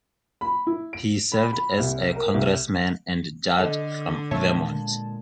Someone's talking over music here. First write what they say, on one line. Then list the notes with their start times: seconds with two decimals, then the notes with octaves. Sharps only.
He served as a congressman and judge from Vermont.
0.41 B5
0.67 E4
0.93 D7
1.32 B5
1.53 B5
1.79 C2
2.16 A#4
2.34 C2
3.58 D3 A4 D#5 E6
4.31 A#2 G#3 C#5 E5 A5